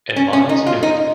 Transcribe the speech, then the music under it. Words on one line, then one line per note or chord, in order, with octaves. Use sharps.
And Miles knew it.
C#4
C#4
D#4
F4
D#4